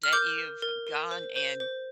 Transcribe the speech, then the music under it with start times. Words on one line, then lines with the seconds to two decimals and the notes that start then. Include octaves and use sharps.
that you've gone and,
0.03 F6
0.13 A#4 D6 G6
0.38 A#4
0.62 A#4
0.87 A#4
1.11 C5
1.36 C5
1.60 C5